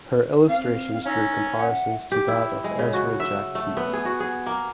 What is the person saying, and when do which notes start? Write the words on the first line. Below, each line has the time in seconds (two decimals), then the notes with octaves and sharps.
Her illustrations drew comparisons to that of Ezra Jack Keats.
0.49 C4 F5 C7
1.06 C#4 D#4 E6 A#6
1.55 E5 F#5
2.12 G4
2.28 E4
2.64 G#3
2.79 C#3
2.93 F#4
3.20 E5
3.55 A3
3.77 B3
3.93 G#4
4.05 F#4
4.20 G#4
4.46 A#3